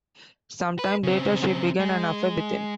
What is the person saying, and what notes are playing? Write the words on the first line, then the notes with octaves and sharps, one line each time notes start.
Some time later she began an affair with him.
B4
C#3 C4
G#3